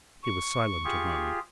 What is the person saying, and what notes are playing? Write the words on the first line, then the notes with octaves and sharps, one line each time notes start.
He was silent a moment.
C#6
F4 G4 G#4